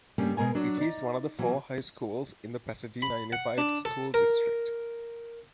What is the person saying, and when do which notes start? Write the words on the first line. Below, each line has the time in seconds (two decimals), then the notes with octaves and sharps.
It is one of four high schools in the Pasadena Unified School District.
0.18 G2 C#3 G3 A3 A#3 C#4
0.37 B2 G#3 A#4 G#5
0.55 F#3 D4
0.78 D#4 D5
1.39 B2 E3 F#3
3.02 B5
3.33 F#5
3.58 D4
3.85 A4
4.14 A#4